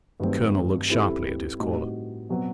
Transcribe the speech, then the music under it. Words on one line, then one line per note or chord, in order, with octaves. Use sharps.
The colonel looked sharply at his caller.
G2 D#3 F#3 A3 C4
G3 C4 E4 A4
A2 G3 C4 D#4 F#4
B2 F#3 C4 F#4